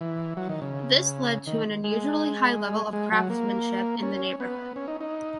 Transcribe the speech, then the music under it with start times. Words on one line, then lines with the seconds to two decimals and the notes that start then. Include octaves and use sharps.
This led to an unusually high level of craftsmanship in the neighborhood.
0.01 E3
0.37 F#3
0.49 D#3
0.62 C#3
1.47 D#3
1.84 G#3
2.93 G#3
3.12 F#3
3.30 A#3
4.02 C#4
4.40 B3
4.76 C#4
4.88 D#4
5.01 D#4